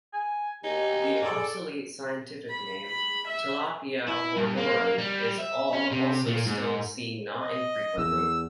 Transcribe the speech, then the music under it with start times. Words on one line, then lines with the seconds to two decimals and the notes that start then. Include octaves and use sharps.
The obsolete scientific name "Tilapia hornorum" is also still seen not infrequently.
0.13 G#5
0.64 D#2 D#4 G4 G#5
1.23 G#4 A4 D5
2.49 B5
2.85 B5
3.28 E5
4.09 E4
4.37 G2
4.57 A#3
4.98 G3
5.38 E5
5.73 C#4
5.91 C3
6.28 A#2
6.46 G#2
7.41 D#5
7.98 E2 E6